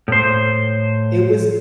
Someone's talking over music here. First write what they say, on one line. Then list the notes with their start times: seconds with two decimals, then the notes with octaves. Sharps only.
It was
0.08 A2 C5